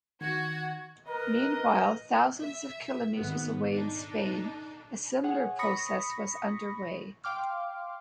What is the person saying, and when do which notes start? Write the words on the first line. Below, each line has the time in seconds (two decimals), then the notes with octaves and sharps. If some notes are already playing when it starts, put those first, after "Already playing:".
Meanwhile, thousands of kilometres away in Spain, a similar process was underway.
0.21 D#3 F#4 G#6
1.08 A#4 B4 D#5
2.38 E5
3.16 G#1 G#2 B3
3.70 D4 D#4 A4
5.24 G#4 C#5 F#5 G#5
5.59 B5 C#6 D#6 A#6 B6 C#7
7.24 F5 G5 C6 D6 F6